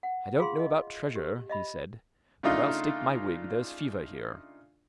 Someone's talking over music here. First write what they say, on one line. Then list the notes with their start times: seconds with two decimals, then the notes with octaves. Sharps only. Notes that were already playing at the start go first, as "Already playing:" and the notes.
"I don't know about treasure," he said, "but I'll stake my wig there's fever here."
0.03 F#5
0.39 F4 G#4 F5 C6
0.59 D#5
1.16 G4
1.49 D#5 E5 B5
2.43 C#3 A3 D4 D#4 F4